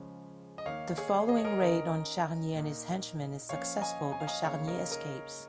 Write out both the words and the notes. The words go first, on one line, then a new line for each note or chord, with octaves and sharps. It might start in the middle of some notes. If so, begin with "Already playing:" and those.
The following raid on Charnier and his henchmen is successful, but Charnier escapes.
Already playing: C#3 F3 G#3 C#4
D#5
D#3 A#3 D#4 C#5 F5
G#4 C#5
D#5
C#5
A#4 D#5
D#3 C#4 A#4 D#5
A#2 A#3 D#4
F3 A#3 C#4 C#5 F5
D#5 G#5
G#5
F5
D#5 G#5
C#3 A#3 D#4 C#5 F5
A#4 D#5
A#4 D#5